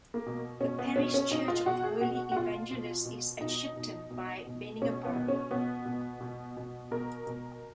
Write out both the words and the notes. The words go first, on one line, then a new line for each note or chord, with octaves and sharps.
The parish church of Holy Evangelists is at Shipton by Beningbrough.
A#3
B2
B2 C#4
B3
B2 C#4
C#4
B2 D#4
F4
B2 F#4
G#4
B2 F#4
F#4
B2 F4
B2
B2
B2 D#4
B2
B2
B2
B2 C#4
B3
B2
C#4
B2 B3
B2
B2
B2
B2 A#4
B2